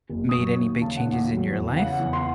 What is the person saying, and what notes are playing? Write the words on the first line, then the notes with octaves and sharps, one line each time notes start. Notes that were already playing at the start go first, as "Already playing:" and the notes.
made any big changes in your life
F#1
D#6
F#3 C#6
D#2
C#3 A5
F#5
D#2
F#3
E2
C#3 F#5
E2
C6